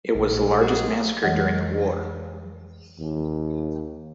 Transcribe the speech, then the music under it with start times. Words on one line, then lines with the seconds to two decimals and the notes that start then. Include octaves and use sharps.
It was the largest massacre during the war.
0.15 A#1 A#2
0.58 G3 A#3 F#4 G#4
1.23 F2 E3 G#3 C#5 D#5 F#5
3.00 D#2